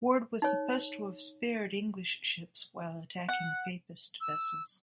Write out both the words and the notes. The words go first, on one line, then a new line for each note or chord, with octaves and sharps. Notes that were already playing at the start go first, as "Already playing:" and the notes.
Ward was supposed to have spared English ships while attacking "papist" vessels.
D#4 C#5
F#5
E6